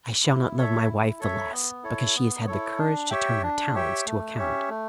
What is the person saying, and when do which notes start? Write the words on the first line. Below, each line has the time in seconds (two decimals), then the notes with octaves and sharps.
I shall not love my wife the less, because she has had the courage to turn her talents to account.
0.25 E4
0.57 A4 C#5 E5
0.88 E4
1.20 A4 C#5 E5
1.52 B3
1.83 E4 A4 C#5
2.15 B3
2.47 E4 A4 C#5
2.78 D4
3.10 G4 C#5 E5 G5
3.43 D4
3.74 G4 C#5 E5 G5
4.06 A3
4.38 C#4 G4 C#5 E5
4.69 A3